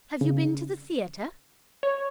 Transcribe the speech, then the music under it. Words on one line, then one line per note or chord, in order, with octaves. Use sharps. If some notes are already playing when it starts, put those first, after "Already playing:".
"Have you been to the theatre?"
C#3
C#5